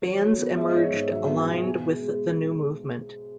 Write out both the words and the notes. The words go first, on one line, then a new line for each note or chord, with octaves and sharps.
Bands emerged aligned with the new movement.
F#3 C#5
F#3
B3
G#3 E5
D#5
G#2 C#5
D#5
G#2
F#3 E5
B3 E5
G#5
B2
G#5
B2
G#3
G#3